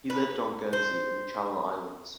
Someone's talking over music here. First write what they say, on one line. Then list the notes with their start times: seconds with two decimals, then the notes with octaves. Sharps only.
He lived on Guernsey in the Channel Islands.
0.10 B4
0.73 C5